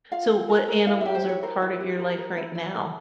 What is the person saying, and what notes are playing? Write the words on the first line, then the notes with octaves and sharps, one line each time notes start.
So what animals are part of your life right now?
F4 F5
F4
A#4
A#4
E4 F5
G4 E5
C5
E4 C#5
A#4 C5
E4
G4
A#4
A#4
E4
E4
A#4